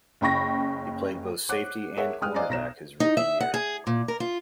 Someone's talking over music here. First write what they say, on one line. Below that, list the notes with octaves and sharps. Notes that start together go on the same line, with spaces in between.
He played both safety and cornerback his rookie year.
F#1 C#3 G5 B5 C#6 A#6
C5 C#5 F#5 D6 F#6
G#4 A#4 C#5 E5 F#5
G#3 G5 D#6 F6 F#6
C5 D5 D#5 F5 G#5 A#5
B1 A#5 A#6 E7
D#4
E5
F#5
G#4
A#2
A#4
F4